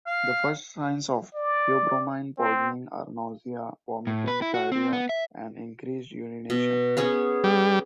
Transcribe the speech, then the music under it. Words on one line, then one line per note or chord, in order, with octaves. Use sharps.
The first signs of theobromine poisoning are nausea, vomiting, diarrhea, and increased urination.
F5
D5
C4
A2
B4
E4
F#4
C4
B3
E5
B2
B3 C#4 G#4
G3